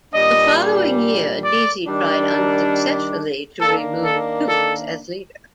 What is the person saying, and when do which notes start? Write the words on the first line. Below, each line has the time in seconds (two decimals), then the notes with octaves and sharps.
The following year Deasy tried unsuccessfully to remove Dukes as leader.
0.13 A#2 G3 D4 D#5
1.44 D5
1.86 D#3 G3 D4
2.30 A#4
3.60 D#3 A#3 D4 A4
4.04 A4
4.48 A4